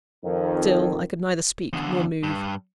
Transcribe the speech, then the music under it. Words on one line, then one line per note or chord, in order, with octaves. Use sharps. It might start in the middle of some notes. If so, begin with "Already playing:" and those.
Still I could neither speak nor move.
F2 D#3
E2 D3
G2